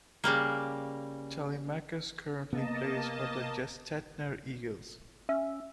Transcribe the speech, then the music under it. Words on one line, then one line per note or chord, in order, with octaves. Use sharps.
Telemachus currently plays for the Gestetner Eagles.
C#3 G3 A#3
C3 A#3 B3 D#5 A5
C#4 E5